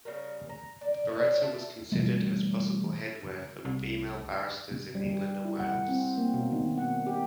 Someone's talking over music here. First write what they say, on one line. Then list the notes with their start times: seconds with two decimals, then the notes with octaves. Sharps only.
The biretta was considered as possible headwear for female barristers in England and Wales.
0.05 C#3 G3 A#4
0.49 A#5
0.81 D5
1.09 C#4 C#5 D5
1.40 E5 F#5 A5
1.92 B2 E3 G3 A3
3.65 C2
4.95 G3
5.44 E4
5.60 F#5
5.88 C4
6.18 A#3
6.34 B2
6.52 D#3
6.78 F#5
7.07 G4